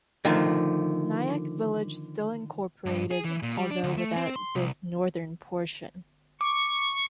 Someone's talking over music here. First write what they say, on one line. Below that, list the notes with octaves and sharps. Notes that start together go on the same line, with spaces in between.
Nyack village still incorporated, although without this northern portion.
D3 D#3 F3 A3
G2
G#4
E3
A#2
G3
D4
D2
A3
C4
C6
C2
C#6 D6